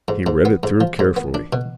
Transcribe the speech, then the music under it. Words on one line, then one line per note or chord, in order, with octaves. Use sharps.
He read it through carefully.
G#2
G#2
B3
G#2
F3
G#2
B3
D4
B2